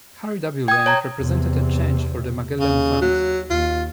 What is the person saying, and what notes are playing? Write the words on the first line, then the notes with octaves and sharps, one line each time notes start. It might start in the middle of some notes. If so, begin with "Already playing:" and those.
Harry W. Lange represented a change for the Magellan fund.
G5 D#6 G#6
C#5 A5 A#5
E2 C3
D#2 C#3
F#3
D#2 F4